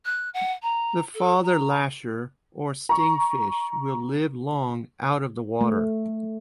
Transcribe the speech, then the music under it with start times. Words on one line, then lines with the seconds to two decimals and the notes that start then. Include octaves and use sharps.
The father-lasher, or sting-fish, will live long out of the water.
0.05 F#6
0.34 F#5
0.62 A#5
1.14 A4
1.43 A#5
2.89 A#5 C#6
5.61 A3